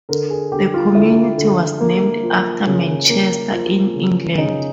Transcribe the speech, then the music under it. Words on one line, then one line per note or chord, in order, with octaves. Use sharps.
The community was named after Manchester, in England.
D3 A#4
G#4
D3 G4
F4
D3 E4
D3
A#3
F3
C#3
A#3
F3
C#3
C#3 D#4